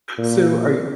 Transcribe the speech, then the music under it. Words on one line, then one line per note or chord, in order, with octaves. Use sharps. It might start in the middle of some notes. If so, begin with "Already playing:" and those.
So, are y
A#2